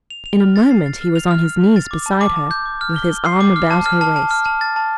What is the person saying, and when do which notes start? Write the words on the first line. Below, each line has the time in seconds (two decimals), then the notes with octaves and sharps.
In a moment he was on his knees beside her, with his arm about her waist.
0.10 F7
0.26 F7
0.40 F6
0.56 A6
0.71 C7
0.86 A6
1.01 F6
1.16 F7
1.31 F6
1.46 F6
1.61 F7
1.76 A6
1.91 D6
2.06 A5
2.21 D6
2.36 A5
2.51 G6
2.66 D6
2.81 F6
2.96 G7
3.11 G7
3.26 C7
3.41 D6
3.56 F6
3.71 A5
3.86 F6
4.01 A5
4.16 A5
4.31 F6
4.46 A5
4.61 A6
4.76 A5